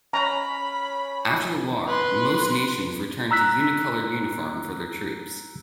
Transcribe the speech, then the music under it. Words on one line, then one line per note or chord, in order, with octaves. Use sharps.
After the war, most nations returned to a unicoloured uniform for their troops.
C#4 A#5 B5
B4 C6
A#5 E6 F#6 B6